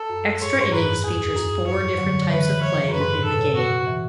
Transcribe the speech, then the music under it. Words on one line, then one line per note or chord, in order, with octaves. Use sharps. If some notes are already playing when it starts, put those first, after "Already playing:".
Extra Innings features four different types of play within the game.
Already playing: A4
F#2
G#2 C#5
G#2
F#2 B4
E2 G#4
F#2
G#2 C#5
D3 F#3
D3
C#3 E3 B4
C#3 E3 C#5
F#2 B4
G#2
A2
B2 A4
C#3
B2
A2 F#4
E3